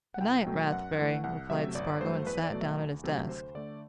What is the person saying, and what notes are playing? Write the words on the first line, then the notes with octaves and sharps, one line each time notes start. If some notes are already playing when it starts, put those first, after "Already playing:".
"Good-night, Rathbury," replied Spargo and sat down at his desk.
F#5
C2 G5
B2 F#3 A3
F#2 F#5
E3 A3
C2 F#5
C3 F#3 A3 E5
G1 D5
G2 F#3 A3 C5
E2 B4
D5
B2 F#3 A3
E5
D2
C3 F#3 A3
D2 C5
D3 A3 D5